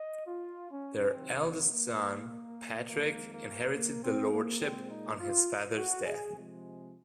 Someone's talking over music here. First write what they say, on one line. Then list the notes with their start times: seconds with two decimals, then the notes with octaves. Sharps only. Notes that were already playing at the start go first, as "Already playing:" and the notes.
Their eldest son, Patrick, inherited the Lordship on his father's death.
Already playing: D#5
0.27 F4
0.71 C#4
1.14 C3 D#3 F#3 C4
1.43 A#3
1.73 A#3
2.88 F2 D#3 G#3 A#3
3.32 A#3
3.74 A#3
4.04 C4
4.32 A#3
4.61 A#2 G#3 C4
4.90 D#4
5.19 F4
5.77 F#4
6.06 G#4
6.35 C3 F3 G#3